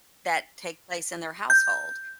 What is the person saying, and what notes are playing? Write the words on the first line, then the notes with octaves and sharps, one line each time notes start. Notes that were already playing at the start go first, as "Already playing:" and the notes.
that take place in their household
G6